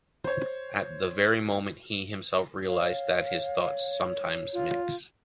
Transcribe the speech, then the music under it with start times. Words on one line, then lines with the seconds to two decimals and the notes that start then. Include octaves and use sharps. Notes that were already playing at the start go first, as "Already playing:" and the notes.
At the very moment he himself realized that his thoughts sometimes mix.
0.24 C5 C#5
2.68 C#5 F5
4.53 F4